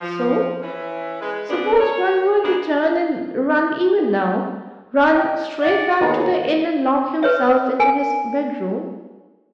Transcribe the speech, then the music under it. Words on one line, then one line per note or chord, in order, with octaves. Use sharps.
So? Suppose one were to turn and run even now, run straight back to the inn and lock himself into his bedroom?
F3
E3 C#4 E4
G#3 B4
A#2 E3 G3 B3 C4 D4
C#5
G#3 A#3 B3 D4
D#5 G5
D5 F#5
D#2 B3 D#4 G#4
B4 C#5 E5
A#4 G#5